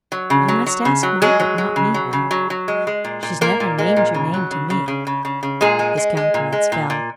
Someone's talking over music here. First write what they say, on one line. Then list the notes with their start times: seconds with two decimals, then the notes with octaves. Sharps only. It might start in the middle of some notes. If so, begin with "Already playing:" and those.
"You must ask Margaret, not me, Will; she's never named your name to me." His countenance fell.
0.12 F#3
0.30 C#3
0.48 F#3
0.66 F#3
0.85 C#3
1.03 F#3
1.22 F#3 G#3 G#4
1.40 F#3
1.58 F#3
1.76 C#3
1.94 F#3
2.13 C#3
2.31 F#3
2.50 F#3
2.68 G#3
2.87 G#3
3.04 A#2
3.23 A#2
3.41 A#2 A#3 A#4
3.60 A#2
3.79 G#3
3.96 A#2
4.14 C#3
4.34 F#3
4.51 C#3
4.70 C#3
4.88 C#3
5.07 C#3
5.25 C#3
5.43 C#3
5.61 A#2 G#3 G#4
5.79 G#3
5.97 G#3
6.17 G#3
6.34 A#2
6.52 G#3
6.72 A#2
6.90 A#2